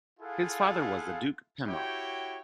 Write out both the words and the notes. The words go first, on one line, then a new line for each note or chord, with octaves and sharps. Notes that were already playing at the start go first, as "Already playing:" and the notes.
His father was the Duke Pemmo.
E4 F4 G#4 A4 F5 F#5
E4 F#4 G4 C#5 G5